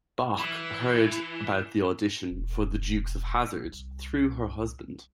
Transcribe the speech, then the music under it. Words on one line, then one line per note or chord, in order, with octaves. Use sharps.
Bach heard about the audition for "The Dukes of Hazzard" through her husband.
E3
E1
C2